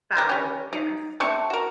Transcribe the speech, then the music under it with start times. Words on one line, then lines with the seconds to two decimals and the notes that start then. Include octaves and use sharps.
Foul, yes.
0.17 G4 A#4
0.29 G3 C#4
0.73 D#4
1.20 C3 A3 C#6
1.50 F#4 A#4